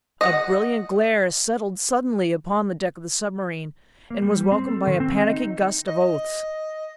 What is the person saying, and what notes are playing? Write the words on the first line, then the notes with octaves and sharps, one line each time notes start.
A brilliant glare settled suddenly upon the deck of the submarine, and was welcomed by a panicky gust of oaths.
D#5 F#5
A#3
G3
C4
A4
D#3
C4
D#5
D#4
D#5